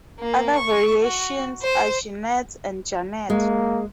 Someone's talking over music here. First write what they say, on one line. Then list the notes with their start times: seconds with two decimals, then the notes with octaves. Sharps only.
Other variations are Janette and Janet.
0.19 A#3
0.55 C#6
1.03 F#4
1.62 C5
3.30 G#3 A#3